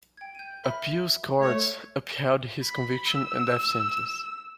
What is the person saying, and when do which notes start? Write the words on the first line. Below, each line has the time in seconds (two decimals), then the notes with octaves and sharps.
Appeals courts upheld his conviction and death sentence.
0.17 G5 G#6
0.35 G6 D#7
0.64 A#4 E5 B5
1.41 A3 C#5
2.64 B5
3.09 E6